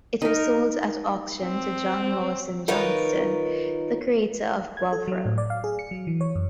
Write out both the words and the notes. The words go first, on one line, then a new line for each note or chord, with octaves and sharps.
It was sold at auction to John Lawson Johnston, the creator of Bovril.
D#4 A#4
C4
D#3 D#4 F4 A#4 B4 C#5
G#6
A4
F#3
A2
D5
F5
G#4
C#7
F#3
E3
C#5
F#2